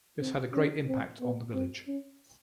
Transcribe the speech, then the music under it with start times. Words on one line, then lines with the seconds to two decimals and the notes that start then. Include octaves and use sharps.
This had a great impact on the village.
0.20 C4
0.53 C#4
0.88 C4
1.21 B3
1.54 C4
1.88 C#4